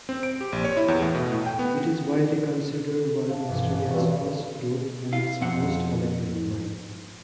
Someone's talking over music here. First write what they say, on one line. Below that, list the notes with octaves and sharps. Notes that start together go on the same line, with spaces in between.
It is widely considered one of Australia's "first growth" and its most collectable wine.
C4
D7
G4
A#1
C#5
E4
E2
A2
B2
A2
G5
B3
F5 A5
G1 B2 E3
A1
G2 B3 F#4 C#5 E5
E4 F5
F2 C4 F#5